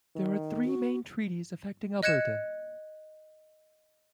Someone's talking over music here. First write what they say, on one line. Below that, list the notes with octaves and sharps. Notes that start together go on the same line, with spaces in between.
There are three main treaties affecting Alberta.
D#3
F#4
D#5 F#6 G#6 C#7 E7